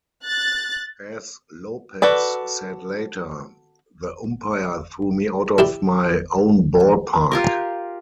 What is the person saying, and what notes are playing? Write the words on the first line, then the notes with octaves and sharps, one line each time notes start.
As Lopez said later, The umpire threw me out of my own ballpark!
F#6 A6
F#4 A4 B4 D5
E4 G4 D5
F4 G4 A#4